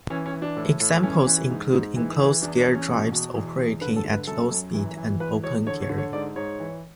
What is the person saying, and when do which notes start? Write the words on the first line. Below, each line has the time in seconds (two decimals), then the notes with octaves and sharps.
Examples include enclosed gear drives operating at low speeds and open gearing.
0.10 E3 C#4
0.26 C#4
0.33 E3
0.42 D4
0.57 A2
0.80 A2
1.03 E3 C#4
1.27 E3
1.49 G#2
1.73 G#2
1.96 E3
2.19 E3
2.42 E2 D4
2.57 D4
2.66 E2
2.73 C#4
2.88 B2
3.12 B2
3.35 E2
3.58 E2
3.81 D3 B4
3.96 A4
4.04 D3
4.12 B4
4.27 F#2 A4
4.51 F#2
4.74 E3
4.97 E3
5.20 E2 B4
5.44 E2 C#5
5.67 D3 C#5
5.82 C#5
5.90 D3
5.98 C#5
6.13 G#2 D5
6.36 G#2 C#5
6.59 E3